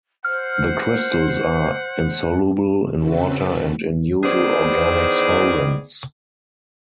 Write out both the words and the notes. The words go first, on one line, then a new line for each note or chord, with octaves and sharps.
The crystals are insoluble in water and in usual organic solvents.
C5 F#5 F6
C#3 C4 C#4 F#4 A4 B4
D#3 E3 B3 G#4 C5 D5